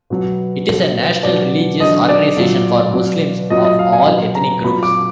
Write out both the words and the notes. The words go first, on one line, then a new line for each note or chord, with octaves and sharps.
It is a national religious organization for Muslims of all ethnic groups.
B2 F#3
B2 F#3
B2 F#3 D5
D3 F#3 D#5
D5
A#2 F#3
B2 F#3
A#2 F#3 D#5
D#5
F5
G#5
B2 F#3
A#5
A#2 F#3 B5
D6